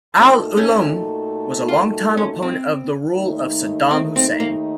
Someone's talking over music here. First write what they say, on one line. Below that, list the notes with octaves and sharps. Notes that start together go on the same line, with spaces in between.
Al-Ulloum was a longtime opponent of the rule of Saddam Hussein.
A#2 A3 C4 D#4 F#4 A4
C#4
F4
C#4
C4
D#2 D#3 A3 D#4
C4
C4
A#3